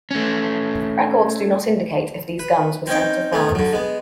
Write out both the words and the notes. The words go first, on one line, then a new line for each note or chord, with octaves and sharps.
Records do not indicate if these guns were sent to France.
A3 C#4
B4
C4 C#4 D#4 G5
A3 B3 C#4
D3 F#3
G#3 B3